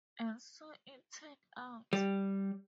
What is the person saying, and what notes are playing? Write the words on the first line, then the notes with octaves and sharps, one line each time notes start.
And so it turned out.
G3